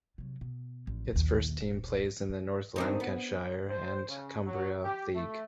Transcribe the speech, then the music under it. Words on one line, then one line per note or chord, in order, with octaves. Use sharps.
Its first team plays in the North Lancashire and Cumbria league.
C3 F#3
B2
A1 F3
A#1 D#2
D#1 A#1
G3
D#3 C4 D4
B3
C5
C#3
F#3
G4
A3